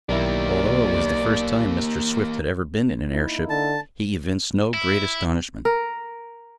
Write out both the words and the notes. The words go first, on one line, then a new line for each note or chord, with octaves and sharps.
Although it was the first time Mr. Swift had ever been in an airship, he evinced no great astonishment.
B1 D#3 A#3 E4 G4 D5
A#3 D#4 E4
D3 A5
E4
A#4